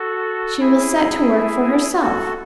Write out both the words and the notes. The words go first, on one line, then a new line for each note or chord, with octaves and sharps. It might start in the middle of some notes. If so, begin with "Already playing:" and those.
She will set to work for herself.
Already playing: F#4 A4
E4 G#4
F#4 A4